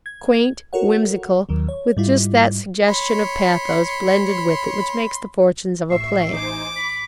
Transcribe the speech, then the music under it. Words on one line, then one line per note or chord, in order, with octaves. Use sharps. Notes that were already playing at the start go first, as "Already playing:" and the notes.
Quaint, whimsical, with just that suggestion of pathos blended with it which makes the fortunes of a play.
G#6
F#4 A4 A#4 C#5 F#5
D#2 D#3 F#3
C#5
G#2 G3 E4 F4
C#5 B5 C6
A1 E5 C#6 C7
D#4 C5 G#5 D6
B5 B6